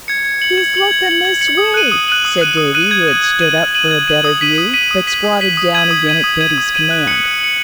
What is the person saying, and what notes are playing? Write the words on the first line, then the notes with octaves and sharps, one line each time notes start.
"He's looking this way," said Davy, who had stood up for a better view, but squatted down again at Betty's command.
G#6 C#7
G#6
C#7 F#7
G#6
C#7 F#7
G#6
C#7 F#7
G#6
C#7 F#7
D#6
F#6 D#7 F#7
D#6
F#6 D#7 F#7
D#6
F#6 D#7 F#7
D#6
F#6 D#7 F#7
G#6
D#7 F#7
G#6
D#7 F#7
G#6
D#7 F#7
G#6
D#7 F#7
D#6
B6 D#7 F#7
D#6
B6 D#7 F#7
D#6
B6 D#7 F#7
D#6
B6 D#7 F#7
D#6
G#6 D#7 F#7
D#6
G#6 D#7 F#7
D#6
G#6 D#7 F#7
D#6
G#6 D#7 F#7
F#6
C#7 F#7
F#6
C#7 F#7